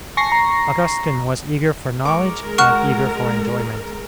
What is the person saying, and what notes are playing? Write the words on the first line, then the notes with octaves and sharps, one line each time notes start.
Augustine was eager for knowledge and eager for enjoyment.
G#5 A5 C#6 A#6 C7
A#5
G#3 A#4 C#6 D6
F#4 C#6 F6 F#6